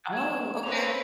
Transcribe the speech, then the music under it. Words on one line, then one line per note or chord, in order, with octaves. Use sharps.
Oh, okay.
G#6 E7
C4 C#4 B4 F7